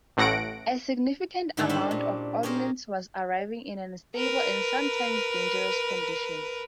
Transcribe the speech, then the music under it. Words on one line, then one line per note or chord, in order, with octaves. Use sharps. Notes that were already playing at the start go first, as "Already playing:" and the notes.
A significant amount of ordnance was arriving in an unstable, and sometimes dangerous, condition.
A1 A2 F#5 A#6 D7
G#2 D3 D#3 E4 G4 A4
C#4 D4 A4 C5 B5
A#2
C#4 G4 G#4 A#4 C5
A#4 B4